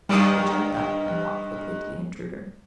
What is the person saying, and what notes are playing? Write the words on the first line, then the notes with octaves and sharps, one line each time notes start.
He jumped up and walked quickly to the intruder.
G2 D#3 G3 D5 D#6